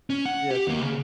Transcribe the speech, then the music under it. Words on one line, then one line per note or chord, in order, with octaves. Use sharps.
Yeah, t
C#4
F#5
G4
D#2 A#3
C#3